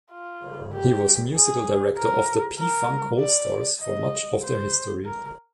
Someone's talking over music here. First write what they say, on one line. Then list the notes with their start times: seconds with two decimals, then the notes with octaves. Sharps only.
He was musical director of the P-Funk All-Stars for much of their history.
0.12 F4
0.73 G4
1.35 G#4
1.97 A#4
2.59 A#4
3.20 D5
3.82 D#5
4.44 C5
5.05 A#4